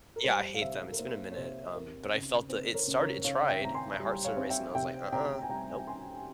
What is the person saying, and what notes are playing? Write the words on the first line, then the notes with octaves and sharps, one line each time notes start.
yeah, I hate them. It's been a minute. Um, but I felt that it started, it tried. My heart started racing. I was like, "Uh-uh. Nope.
A#4
G3 C5
F5
C3 C5 E5
A#4
A#3 C5
C#5
C3 C5
C4 A#4
C#3
C4 C5
A#4 C#5
C#3
A#4 C#5
C#3 C#5 F5
E5 G5
C4 A#5
G#5 C6
G3
C#5 F5
C4
E5 G5
C3 E5 G5
C3 G5 A#5
G#5
G3 G5 A#5
C#4 G#5 C6